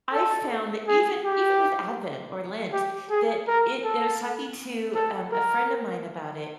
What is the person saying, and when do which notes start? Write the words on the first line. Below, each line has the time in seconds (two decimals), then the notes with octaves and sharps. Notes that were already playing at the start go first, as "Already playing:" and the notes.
I found that even even with Advent or Lent that it and I was talking to, um, a friend of mine about it,
0.13 A4
0.88 G#4
1.24 G4
2.73 G4
3.10 G#4
3.47 A#4
3.84 A4
4.95 A4
5.32 A#4